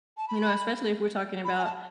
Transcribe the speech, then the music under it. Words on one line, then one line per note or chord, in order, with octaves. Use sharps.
You know, especially if we're talking about
A5
B5
B5
G#5
A5